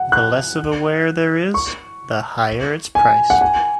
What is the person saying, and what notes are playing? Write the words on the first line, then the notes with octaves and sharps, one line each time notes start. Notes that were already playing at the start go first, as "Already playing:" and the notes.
The less of a ware there is, the higher its price.
Already playing: F#5
F#6
C#6
G#5
F#5
G#5